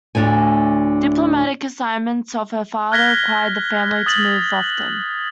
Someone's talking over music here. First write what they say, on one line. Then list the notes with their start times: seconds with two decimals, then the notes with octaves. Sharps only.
Diplomatic assignments of her father required the family to move often.
0.15 D2 A2 D3 A3 G#5
2.92 F6 F#6 G#6 A#6 B6 G7
4.06 D#6 A6 F#7